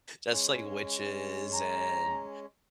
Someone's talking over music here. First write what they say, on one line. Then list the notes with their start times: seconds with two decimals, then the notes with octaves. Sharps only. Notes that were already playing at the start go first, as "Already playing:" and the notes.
just like witches and
0.31 G#3 C#4
1.54 A#5